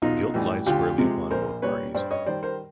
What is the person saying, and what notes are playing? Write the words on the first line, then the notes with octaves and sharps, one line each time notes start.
Guilt lies squarely upon both parties.
B1 D#4 F4
A2 E3 G3
D2 F4 G4
C3 F3 G#3
A#1 A#4 C5
A#2 G3 B4 C#5
G2 C5 D5
C#5 D#5
D#3 G3 C5 D5
A#4 C5